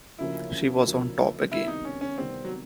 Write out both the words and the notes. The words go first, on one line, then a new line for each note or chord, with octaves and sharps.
She was on top again.
D2 C#3 F3 A#3 E4
D2 C#3 F3 A#3
C3 D#3 G3 B3 E4
D#4
C#4
C#4
C3 D#3 G3 B3 C4
F#3